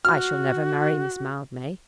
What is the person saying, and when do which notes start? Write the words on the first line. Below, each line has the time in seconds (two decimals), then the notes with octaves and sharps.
"I shall never marry Miss Mildmay."
0.05 F#4 F6